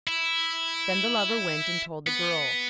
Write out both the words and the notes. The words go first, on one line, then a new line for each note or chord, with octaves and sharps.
Then the Lover went and told the Girl.
E4
B3